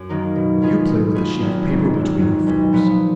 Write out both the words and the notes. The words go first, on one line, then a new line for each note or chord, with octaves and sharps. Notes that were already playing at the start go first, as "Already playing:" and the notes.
You play with a sheet of paper between your fingers.
Already playing: F#2
D#3 F#3 A#3 D#4
B2
F#3 B3 F4 G#4
B2
F#3 B3 F4 G#4
G#1
G#2 F#3
G#1
G#2 F#3
B1
A#2 F3 B3